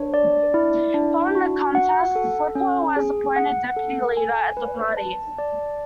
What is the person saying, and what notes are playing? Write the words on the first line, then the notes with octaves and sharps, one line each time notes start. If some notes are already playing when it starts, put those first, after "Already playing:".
Following the contest, Silipo was appointed deputy leader of the party.
Already playing: D4 C#5
D5
E4
D4
F#4
F#5
A4
C#4
G#4
F#5
A4
G#5
B4
A5
D5